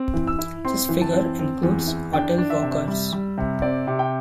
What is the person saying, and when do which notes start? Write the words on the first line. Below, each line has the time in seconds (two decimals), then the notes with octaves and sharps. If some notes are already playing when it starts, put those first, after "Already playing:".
This figure includes hotel workers.
Already playing: C4
0.14 E3
0.27 E6
0.39 E4
0.65 C4 C6
0.89 E3
1.02 A5
1.14 C4
1.39 C4
1.63 E2
1.88 E4
2.13 D4 G5
2.38 D4
2.50 E5
2.62 C3
2.88 G3
3.13 G3
3.38 C3
3.62 C4 D5
3.87 C3
3.99 G5